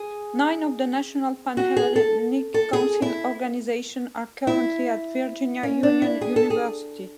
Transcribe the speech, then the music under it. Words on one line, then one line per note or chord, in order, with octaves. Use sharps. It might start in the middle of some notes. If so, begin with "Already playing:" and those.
Nine of the National Pan-Hellenic Council organizations are currently at Virginia Union University.
Already playing: G#4
F#4
G#4
A4
A4
G#4
E4
E4
C#4
D4
E4
G#4
A4
G#4